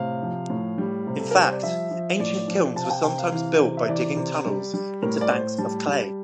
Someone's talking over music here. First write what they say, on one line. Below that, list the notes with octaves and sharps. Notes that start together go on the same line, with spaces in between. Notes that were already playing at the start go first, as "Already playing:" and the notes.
In fact, ancient kilns were sometimes built by digging tunnels into banks of clay.
Already playing: A2 C3 F5
F3
A2
G3
C3
A4
G3 A#4
C5
D5
F3 E5
F3
A2 D5
F3
C3 A5
F5
G5
C3 G5
F5
E3 F5
C3
E5
E3 D5
C3
G3
G3
A2 A#4
D5
A2 C5
G3 A5
G3